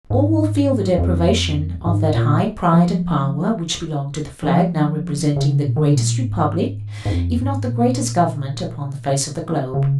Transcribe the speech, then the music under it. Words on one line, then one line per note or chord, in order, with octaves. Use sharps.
All will feel the deprivation of that high pride and power which belong to the flag now representing the greatest republic, if not the greatest Government, upon the face of the globe.
G#2
F2
G#2
A#2
F3
D#3
F3
C#3
A#2
D#3
C#3
A#2
G#2
G#2
F2
G#2
A#2
C#3